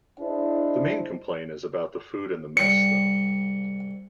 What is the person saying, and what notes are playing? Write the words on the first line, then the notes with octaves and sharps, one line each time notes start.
The main complaint is about the food in the mess though.
D4 E4 G#4 C5 D#5
C2 G#2 G3 C#7